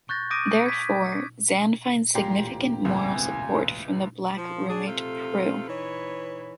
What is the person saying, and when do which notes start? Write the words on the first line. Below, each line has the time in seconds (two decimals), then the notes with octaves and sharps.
Therefore, Zan finds significant moral support from the black roommate Prue.
0.09 C#6 F#6 G6 A6 A#6
0.30 D6 D#6 G6 A#6 D7 D#7
0.66 G#6 B6
2.15 E1 A1 A#2 G4 A#5 C6 C7
2.85 C#2 A2 C3 E3 G#5
3.55 E3
4.36 F3
4.68 D4 F#4 G#4
4.86 C3 F3 A3 F4 A4
5.68 E3 D#4 B4 C#5